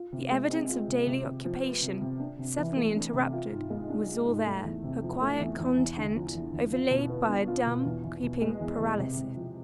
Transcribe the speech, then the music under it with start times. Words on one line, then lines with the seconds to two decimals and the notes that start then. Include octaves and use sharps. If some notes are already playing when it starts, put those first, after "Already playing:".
The evidence of daily occupation, suddenly interrupted, was all there--a quiet content, overlaid by a dumb, creeping paralysis.
Already playing: F4
0.12 C3
0.31 G#3
0.50 C4
0.69 F4
0.88 C3
1.07 C3
1.25 C3
1.44 F3
1.63 B3
1.82 C3
2.01 C3
2.20 D4
2.38 C3
2.57 E3
2.76 A3
2.95 D4
3.14 C3
3.33 F4
3.52 G#2
3.70 G#3
3.89 D4
4.08 F4
4.27 G#2
4.46 A3
4.64 E2
4.84 C3
5.03 F3
5.21 A3
5.40 E2
5.59 E2
5.77 E2
5.97 D3
6.16 F3
6.34 E2
6.53 E2
6.72 F4
6.90 B2
7.10 B3
7.29 D4
7.48 F4
7.66 B2
7.85 E2
8.04 E2
8.23 B2
8.41 G#3
8.60 E2
8.79 E2
8.98 C3
9.17 C3
9.36 F3